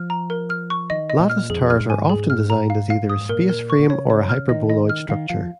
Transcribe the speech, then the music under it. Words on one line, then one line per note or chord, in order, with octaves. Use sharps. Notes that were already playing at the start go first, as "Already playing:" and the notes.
Lattice towers are often designed as either a space frame or a hyperboloid structure.
Already playing: F3 F6
A#5
A#4
F6
C#6
D#3 D#5
D#5
A#2
F6
F2 G#4
F6
G#2
G#5
G#4
F6
A#5
F5
F5
D#6
A#2 A#4
A#4
C#6
A#2
C#3 C#5
C#5
F6
D#3 D#5
D#5
F6
D#3 F5
F3 F5